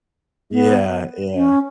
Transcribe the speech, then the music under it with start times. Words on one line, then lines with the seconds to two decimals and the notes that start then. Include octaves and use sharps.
Yeah, yeah.
0.52 B3
1.35 C#4